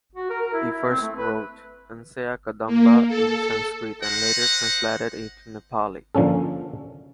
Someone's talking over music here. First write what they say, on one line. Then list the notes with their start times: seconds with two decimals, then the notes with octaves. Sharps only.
He first wrote "Hansyakadamba" in Sanskrit and later translated it to Nepali.
0.15 F#4
0.30 A#4
0.41 A#4
0.53 E4
0.71 E4
0.89 C4
1.02 A3
1.17 B4
2.66 A#3
3.08 A4
4.01 C5 D#5 F#5
6.15 D3 F3 A#3 C#4 A4